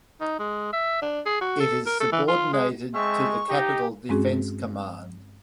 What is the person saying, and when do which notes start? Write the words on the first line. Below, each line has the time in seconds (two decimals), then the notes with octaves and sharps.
It is subordinated to the Capital Defense Command.
0.21 D#4
0.39 G#3
0.73 E5
1.02 D4
1.26 G#4
1.41 F#4
1.60 A4
1.86 A#4
2.00 A4
2.12 E3
2.28 F4
2.53 G#3
2.94 G#3 A3 C4 E5 C#6
3.49 D#4 G4
4.09 G2 G#3 C4 C#4 F#4 G#4